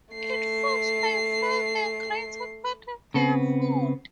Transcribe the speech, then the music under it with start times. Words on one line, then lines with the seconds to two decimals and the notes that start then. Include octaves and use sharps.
It forms by far the greater part of their food.
0.14 A3 C7
3.14 C#3 B3 C4